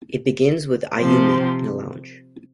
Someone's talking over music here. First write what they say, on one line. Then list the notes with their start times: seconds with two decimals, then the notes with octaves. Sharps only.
It begins with Ayumi in a lounge.
0.98 C3 F3 C4 G4